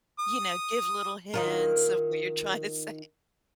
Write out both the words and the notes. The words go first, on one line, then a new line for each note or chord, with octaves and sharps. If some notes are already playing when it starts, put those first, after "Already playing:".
you know, give little hints of what you're trying to say?
D#6
D#3 F4 A#4